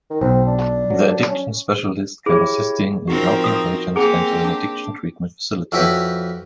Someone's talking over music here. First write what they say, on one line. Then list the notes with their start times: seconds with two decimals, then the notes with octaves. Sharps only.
The addiction specialist can assisting in helping patients enter an addiction treatment facility.
0.10 D#3
0.21 B1 C4
0.47 D4
0.90 F#3
1.28 C#4
2.26 E4 G4 G#4 C#5
3.08 F3 C4 D#4 F#4 A#4
3.44 D#6
3.96 A#3 C4 G4 G#4 F#5 G#5 A#5
4.44 D4 D6
5.72 F2 E4 F#4 G4 B4 C#5